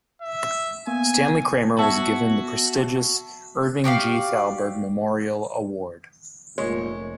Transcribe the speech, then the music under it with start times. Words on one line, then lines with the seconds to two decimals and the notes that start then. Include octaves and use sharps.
Stanley Kramer was given the prestigious Irving G. Thalberg Memorial Award.
0.22 E5
0.87 A#3 B3 G#5
1.79 B3 F#4 E5 A5 C#6 E6 G#6
3.84 F#4 G4 D5 F5
6.58 F1 A#2 G#3 C#5